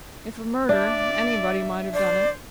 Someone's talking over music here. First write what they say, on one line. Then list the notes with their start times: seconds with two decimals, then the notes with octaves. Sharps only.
If a murder, anybody might have done it.
0.69 D4 D5 E5
1.94 C5 D5